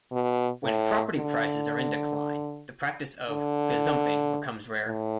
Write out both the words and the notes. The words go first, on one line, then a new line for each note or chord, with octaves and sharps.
When property prices are in decline the practice of gazumping becomes rare.
B2
A2
D3
D3
A2